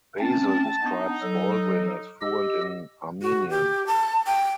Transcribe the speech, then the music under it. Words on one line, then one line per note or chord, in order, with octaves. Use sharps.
Basil describes Baldwin as fluent in Armenian.
A3 C4 C#4 A5
B3 D4 D#4
F#3 A4
G4 D#5 E6
F#4
G4
A5
G5